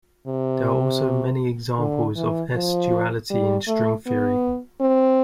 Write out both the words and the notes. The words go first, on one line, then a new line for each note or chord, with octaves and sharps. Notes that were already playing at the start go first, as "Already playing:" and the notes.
There are also many examples of S-duality in string theory.
C3
D3
E3
F3
G3
A3
B3
C4